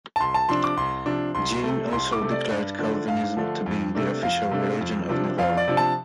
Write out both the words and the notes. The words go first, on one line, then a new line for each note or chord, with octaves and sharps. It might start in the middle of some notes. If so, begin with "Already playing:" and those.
Jeanne also declared Calvinism to be the official religion of Navarre.
A5
C2 C6
A5
C3 F3 D4 C6
D6
C2 C6
C3 F3 D4
C2 C6
C3 A3
C2 C6
D6
C3 A3
D5
G2
D3 F3 A3 D4
G2 F5
D3 F3 A3 D4
F2
C3 A3 D4
F2 F5
C3 A3 D4
F2
C3 F3 D4
F2 F5
D5
C3 F3 D4
A5